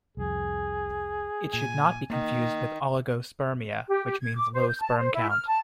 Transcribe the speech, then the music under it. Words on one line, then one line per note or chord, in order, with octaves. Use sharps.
It should not be confused with oligospermia, which means low sperm count.
C2 F2 G#4
A#2 G#5
D#3 A#3
G4
G4
G#6
D6
C5
G6
A5
C5
E4
F6
A5